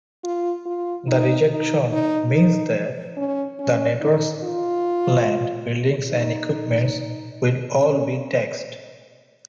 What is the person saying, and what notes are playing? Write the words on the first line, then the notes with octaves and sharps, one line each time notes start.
The rejection means that the network's land, buildings and equipment will all be taxed.
F4
F4
D#4
D#4
D#4
D#4
C#4
C#4
D#4
F4
D#4
C#4